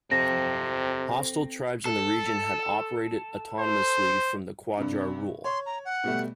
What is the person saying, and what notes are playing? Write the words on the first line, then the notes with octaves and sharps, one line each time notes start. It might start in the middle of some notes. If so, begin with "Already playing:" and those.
Hostile tribes in the region had operated autonomously from the Qajar rule.
C3 C4 A4 A#6
A4
C5
G2 C3 D4
C#5 C6
A#5
F#5
B2 G3 A3